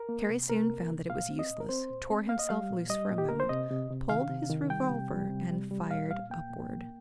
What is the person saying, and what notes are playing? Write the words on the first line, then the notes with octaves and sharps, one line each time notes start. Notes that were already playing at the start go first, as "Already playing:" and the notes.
Terry soon found that it was useless, tore himself loose for a moment, pulled his revolver, and fired upward.
Already playing: A#4
A#3
C3
C3 A#4
A#3
C3
A#2 F5
C4
D#5
A#2
A#4
C4 C5
A#2
C4
A#3 F5
D#5
G3 F5
A#2
G3 D#5
A#2
G4
A#3 A#4
C5
C3 D#5
C3
C3
D#3 F5
C3
D#3
G3 G5
C3
G3
C3
G3
G3
A#2 F5
A#2 F5
A#3 G5
A#2
A#3